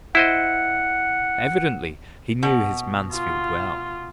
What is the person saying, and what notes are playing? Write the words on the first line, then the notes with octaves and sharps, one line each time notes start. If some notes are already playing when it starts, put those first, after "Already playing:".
Evidently he knew his Mansfield well.
E4 C5 D#5 F#5
B2
F4